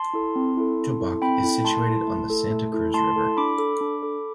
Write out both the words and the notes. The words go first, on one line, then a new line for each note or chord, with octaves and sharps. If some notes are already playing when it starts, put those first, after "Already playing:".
Tubac is situated on the Santa Cruz River.
Already playing: A5 C6
E4 A4
C4
E4 A4
C4
E4 A4
C4 G5 B5
E4 A4
A3 A5 C6
E4 A4
A3
E4 A4
A3
E4 A4
A3 A5 C6
E4 A4
D4 B5 D6
A4
D4
A4